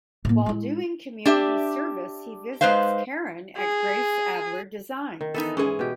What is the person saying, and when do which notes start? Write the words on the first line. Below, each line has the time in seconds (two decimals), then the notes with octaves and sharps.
While doing community service he visits Karen at Grace Adler Designs.
0.25 A2 A#3
0.46 G#3 E4
1.25 D4 G4 E5
2.61 G#3 D#4 B4 C5 F5
3.58 G#4
5.21 D#3
5.34 E3 B3 D#4 A4
5.57 G#2 E3 C#4 G#4
5.79 B2 G4